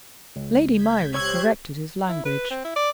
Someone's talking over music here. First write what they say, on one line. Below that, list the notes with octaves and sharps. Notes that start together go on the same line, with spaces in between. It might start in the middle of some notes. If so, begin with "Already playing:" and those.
Lady Myrie corrected his language.
C#2
G6 G#6 B6
G4 C5 C#5 C#6 E6 F#6 G#6
E4
B4
C4
E4
D5